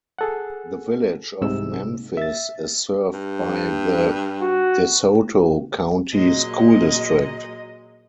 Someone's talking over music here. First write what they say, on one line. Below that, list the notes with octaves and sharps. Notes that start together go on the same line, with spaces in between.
The Village of Memphis is served by the DeSoto County School District.
G#4 A4 F#5
C2 G#2 C3 E6
E5 A6
G2
F#4
A#2 F#3 G#3 D#5